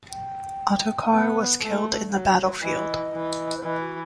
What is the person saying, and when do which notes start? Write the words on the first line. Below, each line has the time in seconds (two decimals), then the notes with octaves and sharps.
Ottokar was killed in the battlefield.
0.09 G5
1.10 B3
1.61 A3
2.11 F#3
2.62 E3 D#5
3.14 E3
3.57 C5
3.64 E3 D#5
3.80 F#4